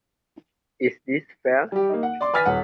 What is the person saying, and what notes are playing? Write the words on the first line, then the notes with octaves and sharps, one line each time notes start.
Is this fair?
G3 G4
A#3 D#4
F#5
D5 C6 D6
B4 G#5 F6 A6 B6
D#1 F#5